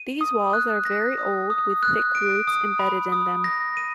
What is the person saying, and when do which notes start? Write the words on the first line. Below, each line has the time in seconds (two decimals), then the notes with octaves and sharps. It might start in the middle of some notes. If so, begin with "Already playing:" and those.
These walls are very old with thick roots embedded in them.
Already playing: D#7
0.21 D#6
0.53 F#6
0.85 A#6
1.18 D#6
1.50 D#6
1.83 F#6
2.15 D7
2.47 D#6
2.79 B5
3.12 D#6
3.44 A#6
3.77 D#7